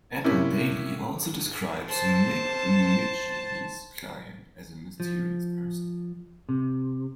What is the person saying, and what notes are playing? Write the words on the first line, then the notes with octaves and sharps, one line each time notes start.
Apple Daily also describes Midgley's client as a 'mysterious person'.
C3 A#3 C#4 E4
C5 A5
F3
C3